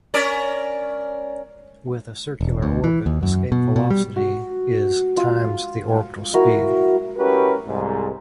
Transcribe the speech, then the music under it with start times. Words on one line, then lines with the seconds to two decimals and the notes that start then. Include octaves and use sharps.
With a circular orbit, escape velocity is times the orbital speed.
0.14 C#4 A#4 D5
2.41 E1
2.62 D2
2.84 E3
3.06 D#2
3.23 F#2
3.52 B2
3.76 B2
3.90 G3
4.16 F#4
5.17 F4
6.34 E4 F#4 A#4
7.18 C#4 E4 F#4 G4 A#4 B4
7.67 C2 G#2